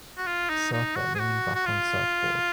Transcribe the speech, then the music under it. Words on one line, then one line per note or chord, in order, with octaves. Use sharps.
Surfer leaning back on surfboard.
F#4
F4
D#4
D#4
F#4
G#4
F#4
F#4
F4